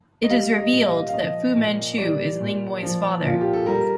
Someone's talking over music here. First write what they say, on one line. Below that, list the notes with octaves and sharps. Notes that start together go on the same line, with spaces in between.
It is revealed that Fu Manchu is Ling Moy's father.
D#5
G3 F5
D#5
A#2
F5
F5
F3 D#5
A#2
G3 D5
A#2
F3
A#2 F4
G4
A4
G3 A#4